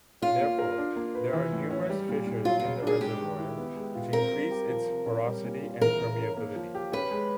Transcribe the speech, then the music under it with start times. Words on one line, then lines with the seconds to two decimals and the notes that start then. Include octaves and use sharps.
Therefore, there are numerous fissures in the reservoir which increase its porosity and permeability.
0.22 C#4 F4
0.41 A#3
0.59 A#4
0.78 D4
0.96 A#3
1.15 B4
1.33 E3
1.52 A2
1.71 C#4
1.90 G3
2.09 A#2
2.27 A#2
2.45 F#3 F4
2.60 F4
2.65 C#3
2.83 D4 G#4
3.01 G#3 G4
3.20 D#3
3.38 E4
3.58 B3
3.76 G#3
3.95 F4
4.13 C4 A#4
4.32 G3
4.51 G4
4.69 F3
4.88 C3
5.06 C#4
5.25 G3
5.44 A#2
5.62 F4
5.81 E3 A#4
5.99 C#3
6.18 C#4
6.37 A#3
6.56 F3
6.75 G4
6.92 C#4 B4
7.11 G#3